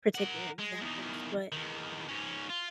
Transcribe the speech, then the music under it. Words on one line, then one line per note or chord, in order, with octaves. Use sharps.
particular examples- but
A#4 F#5
G#3
E2 D#3
E2 D#3
G#2 C#4
F4